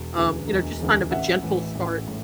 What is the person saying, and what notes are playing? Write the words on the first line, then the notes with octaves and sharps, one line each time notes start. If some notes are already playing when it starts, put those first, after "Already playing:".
um, you know, just kind of a gentle start,
Already playing: E1
D2 C#3 E3
E1
D2 C#3 E3
A1 E5 F#5
A2 E3
A1
A2